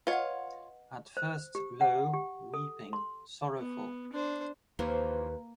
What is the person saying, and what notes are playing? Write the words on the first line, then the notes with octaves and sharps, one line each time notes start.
At first low, weeping, sorrowful.
F4 B4 C#5 D#5 F#5
C5
G4
F#5
G4
A4
C6
B3
D4 C5
D#2 E3 F3 A#3 B4 C5